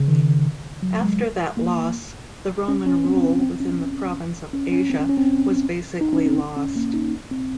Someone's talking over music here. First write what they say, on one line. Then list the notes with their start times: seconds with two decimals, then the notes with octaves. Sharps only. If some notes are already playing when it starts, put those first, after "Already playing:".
After that loss the Roman rule within the province of Asia was basically lost.
Already playing: C#3
0.08 D#3
0.83 F#3
1.01 G#3
1.57 A#3
2.68 C#4
2.86 C#4
3.05 C4
3.17 C4
3.30 C#4
3.42 C4
3.60 C#4
4.53 C#4
4.72 C#4
4.90 C4
4.99 C#4
5.09 C#4
5.17 C4
6.01 D#4
6.13 C#4
6.25 C4
6.57 C#4
6.76 A#3
6.94 D#4
7.31 C4